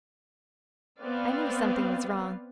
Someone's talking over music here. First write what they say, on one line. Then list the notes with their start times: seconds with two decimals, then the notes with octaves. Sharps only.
I knew something was wrong.
0.98 B3 C4 B4 D5 F5